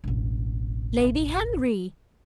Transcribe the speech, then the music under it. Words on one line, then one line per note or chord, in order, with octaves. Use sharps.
"Lady Henry!"
E1 A1